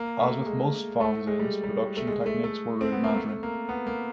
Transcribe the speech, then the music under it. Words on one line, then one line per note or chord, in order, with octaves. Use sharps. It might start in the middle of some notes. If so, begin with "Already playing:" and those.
As with most fanzines, production techniques were rudimentary.
Already playing: A#3
A3
G#3
A3
G#3
G3
G3
A3
G#3
A3
A3
C4
B3
A#3
A3
A#3
B3
A#3